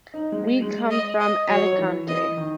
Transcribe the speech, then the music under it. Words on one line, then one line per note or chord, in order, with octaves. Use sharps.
We come from Alicante.
D#4
G#3
G#3
D#5
D#5
F#3 C#5
F#3
E3
E3 D#5
D#3